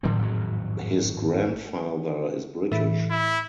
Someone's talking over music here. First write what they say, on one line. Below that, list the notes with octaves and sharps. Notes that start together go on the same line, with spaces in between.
His grandfather is British.
A2 D3 F#3 C4
G#1 F2 F#3
A2 E3
E4